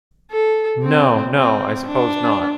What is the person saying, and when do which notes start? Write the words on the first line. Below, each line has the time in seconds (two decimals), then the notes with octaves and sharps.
No, no, I suppose not.
0.31 A4
0.83 C4
1.35 C4
1.87 D4